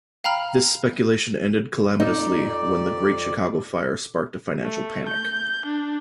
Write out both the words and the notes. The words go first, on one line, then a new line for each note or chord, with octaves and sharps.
This speculation ended calamitously when the Great Chicago Fire sparked a financial panic.
F5 G5 A#5 B5 F6
F2 D#4 D5
A3
G6
D4